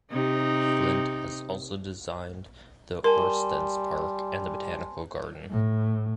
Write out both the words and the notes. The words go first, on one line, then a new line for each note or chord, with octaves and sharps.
Flindt has also designed the Orsteds Park and the botanical garden.
C3 D#4
G3 A#4 G#5 A5 C6
A2